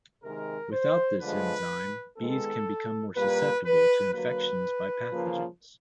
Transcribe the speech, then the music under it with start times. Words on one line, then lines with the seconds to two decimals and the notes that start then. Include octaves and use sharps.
Without this enzyme, bees can become more susceptible to infections by pathogens.
0.23 C3 D#3 G#3 A#4
0.72 C5
1.20 D3 F3 G#3 B4
2.18 D#3 G#3 B3 A4
3.16 A#2 G3 A#3 B4
3.64 B4
4.13 D3 F#3 A#3 B4
5.11 C#3 F3 A#3